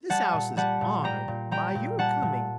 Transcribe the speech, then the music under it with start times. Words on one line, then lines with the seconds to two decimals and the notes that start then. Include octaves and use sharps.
"This house is honored by your coming."
0.10 G3 F#5 A5
0.33 A#2
0.57 G3 F#5 A5
0.81 A#2
1.04 G3 G5 A#5
1.28 A#2
1.51 G3 G5 A#5
1.75 A#2
1.99 G3 F#5 A5
2.23 A#2